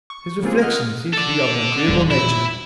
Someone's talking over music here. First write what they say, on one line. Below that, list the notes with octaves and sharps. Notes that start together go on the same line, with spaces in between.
His reflections seemed to be of an agreeable nature.
C#6
C#3 G#3 A#3 C4 F4 G#4
D#5 F#5 F6
A4 D5
D#1 E2 G3
A#2 E4